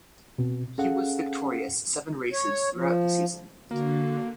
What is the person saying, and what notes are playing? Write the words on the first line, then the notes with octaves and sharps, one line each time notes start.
He was victorious seven races throughout the season.
B2 C4
C#4 G#4 A4 F5 F#5
C#5
F3
D3 A#3 F#4